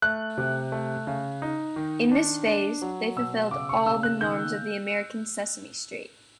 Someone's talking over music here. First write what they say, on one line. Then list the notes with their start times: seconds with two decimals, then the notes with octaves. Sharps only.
In this phase, they fulfilled all the norms of the American Sesame Street.
0.02 A3 F#6
0.38 C3
0.72 A3
1.07 C#3
1.42 D#4
1.76 D#3
2.11 D4
2.46 D4
2.82 F#3
3.16 B2 E6
3.51 C#3 D6
3.69 C#6
3.86 C#3 E6
4.03 F#6
4.21 D#3 G6